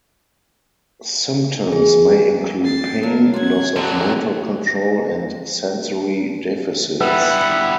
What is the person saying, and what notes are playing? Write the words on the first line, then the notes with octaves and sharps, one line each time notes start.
Symptoms may include pain, loss of motor control, and sensory deficits.
G#4
A6 C7
F#3 A#4 A5
F#3 F4 F#5 G#6
D3 F#3 D5 G#5 A#5
G3 B3 E4 B4 F#5